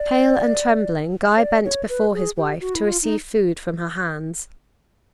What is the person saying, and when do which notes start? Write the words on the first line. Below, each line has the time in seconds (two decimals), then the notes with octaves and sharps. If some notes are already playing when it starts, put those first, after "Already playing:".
Pale and trembling, Guy bent before his wife, to receive food from her hands.
Already playing: D5
1.37 C#5
1.42 D5
1.65 C#5
1.89 B4
2.13 G#4
2.37 G4
2.61 F#4
2.74 E4
2.85 F4
3.02 D#4